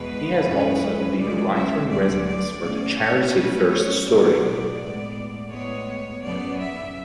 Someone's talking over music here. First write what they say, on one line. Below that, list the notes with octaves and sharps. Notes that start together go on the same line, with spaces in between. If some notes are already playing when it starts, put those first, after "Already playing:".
He has also been a writer-in-residence for the charity First Story.
Already playing: E2 B2 G#3 B4
F#2 E3 G#3 C#4
C#3 E3 G#3 C#4 D5
E5
D2 D3 F#3 A3 D5
D5
B2 A3 C#4 D5
C#5
B2 A3 C#4 B4
C#5
B2 F#3 B3 D5
A2 G#3 B3
A2 G#3 B3 C#5
F#2 C#3 F#3 B3 D5
E5